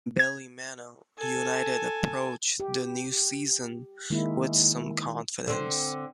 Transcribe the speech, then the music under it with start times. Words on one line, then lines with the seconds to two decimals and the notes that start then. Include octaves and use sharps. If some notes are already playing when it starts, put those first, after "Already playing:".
Ballymena United approached the new season with some confidence.
0.19 G#6
1.18 A4 G#5
2.60 G4
4.10 D#3 G#3 A#3 E4
5.47 D3 C4